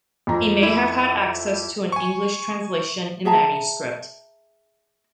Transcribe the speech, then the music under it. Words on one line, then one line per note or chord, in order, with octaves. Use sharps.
He may have had access to an English translation in manuscript.
F2 A#5
E4
G#5 C#6
G#4 E5 A5 A#5